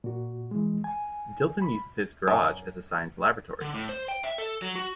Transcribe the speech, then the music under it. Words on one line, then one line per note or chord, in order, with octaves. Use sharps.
Dilton uses his garage as a science laboratory.
A#2 F#4
E3 G#3
G#5
B5
F#2
D3
A2
C5
G5
E5
A4
F#3
F#4